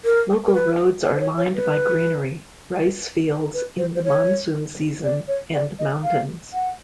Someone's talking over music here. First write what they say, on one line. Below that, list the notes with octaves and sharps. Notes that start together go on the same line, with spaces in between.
Local roads are lined by greenery, rice fields in the monsoon season, and mountains.
A#4
A#4
B4
C#5
C5
C#5
C#5
B4
B4
C5
C5
C#5
D5
C#5
D5
D#5
F5
F#5